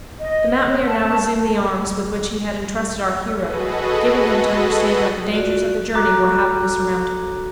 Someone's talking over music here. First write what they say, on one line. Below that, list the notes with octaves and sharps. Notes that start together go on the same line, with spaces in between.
The mountaineer now resumed the arms with which he had entrusted our hero, giving him to understand that the dangers of the journey were happily surmounted.
D#5
C#5
A5
F#4 G#4 A4 B4 D#5
F4 F#4 D5
F#4 A4 A#5 D6 F#6